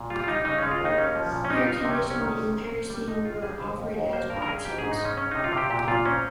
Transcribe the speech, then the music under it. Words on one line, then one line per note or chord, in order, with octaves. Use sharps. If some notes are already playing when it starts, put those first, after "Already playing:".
Air conditioning and power steering were offered as options.
Already playing: A#2
G3 F4
F4
G3 D#4
C#3 D#4
G#3 C#4
F4
D#2 D#4
A#3 C#4
F3
A#2
C#4
G3 D#4
G4
G3 F4
D#4
C3
C#4
C2
C#4
D#3
C3
C4
C4
G3
C3 D#4
C#4 F4
G3 G#4
D#2 C5
D#2
D#2
A#3 C5
G2 A#4
A#4
C#4 G#4
G#2 G4
G#2 G#4
D#4
G#3 C#4
C#4
C3 D#4
F4
C3
G4
A#2 G4
A#2 F4
C4 C#4